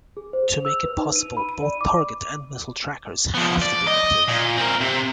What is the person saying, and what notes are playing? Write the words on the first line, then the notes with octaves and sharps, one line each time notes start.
To make it possible, both target and missile trackers have to be active.
G#4
C5
F7
E6
B4
D#4
D#7
B5
D#7
D5
D6
F3 B3
D5
D#5
A#2
C4 A#4
C3